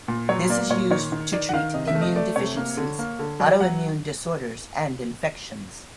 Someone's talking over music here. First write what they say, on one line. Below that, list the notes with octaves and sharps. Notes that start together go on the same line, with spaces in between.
This is used to treat immune deficiencies, autoimmune disorders, and infections.
A#2
F#3 C#5
A#3 D5
A#2 C#5
D#3 C#5
D#3
D#3 D5
F#5
D#3 F5
C3 D#5
E5
A3
D#5
A3 D5
C3 C#5
A#3
D3
A#3
D3
F#3 D5
F#3 F#5